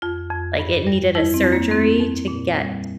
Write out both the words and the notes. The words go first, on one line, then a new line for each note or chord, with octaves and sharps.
Like, it needed a surgery to get
F2 F4
F2
G2
G3
F2 E4
C4
F2
A#3
F2 C4
F2
A#2
G3